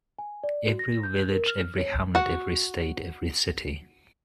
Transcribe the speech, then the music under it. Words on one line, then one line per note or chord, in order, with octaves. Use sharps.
Every village, every hamlet, every state, every city.
G#5
D5
F#4
A#6
G6
A#4
F6
C#5
F#4 F#5